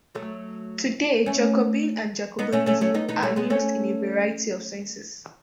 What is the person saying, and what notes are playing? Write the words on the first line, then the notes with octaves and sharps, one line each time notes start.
Today, Jacobin and Jacobinism are used in a variety of senses.
F#3 A3
A3 C#4
B3 D#4
A3 C#4
A3 C#4
A3 C#4
B3 D#4
B3 D#4
A3 C#4
G#3 B3
A3 C#4